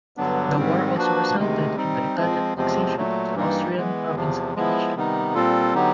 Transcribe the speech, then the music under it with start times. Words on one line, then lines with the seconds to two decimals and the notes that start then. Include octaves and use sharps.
The war also resulted in the Italian annexation of the Austrian province of Venetia.
0.17 G2 D3 F#3 B3 D4
0.56 G#2 D#3 G3 C4
0.96 F3 A#3 D4 F#4 B4
1.36 D2 C3 D#3 G#3
1.76 G3 C4 D#4
2.15 F3 G#3 C4
2.55 E2 C3 F3 G#3 C4
2.96 A#2 F#3 A3
3.35 G2 E3 G3 A#3 D#4
3.76 E3 G#3 B3
4.15 E2 C3 F3
4.55 F3 G#3 B3 E4
4.95 C3 D#3 G3 B3 D#4
5.34 A#2 G3 C4 F4 A4
5.74 D3 F#3 B3 D#4 G4